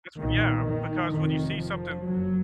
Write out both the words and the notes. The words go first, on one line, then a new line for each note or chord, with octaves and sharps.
That's what yeah, because when you see something
B1 A#2 D#3
D#3
F1 F2 D#3
F3
F#1 F#2 F#3